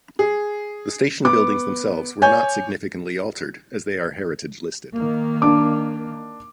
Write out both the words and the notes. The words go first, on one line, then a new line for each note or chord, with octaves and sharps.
The station buildings themselves were not significantly altered as they are heritage listed.
G#4
B3 D6
C#5 G#5 G6
D#3 A#3
D4 D6